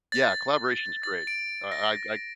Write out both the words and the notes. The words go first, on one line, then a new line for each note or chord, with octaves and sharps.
Yeah. Collaboration's great. Uh, I I
A6
A6
D7
A#6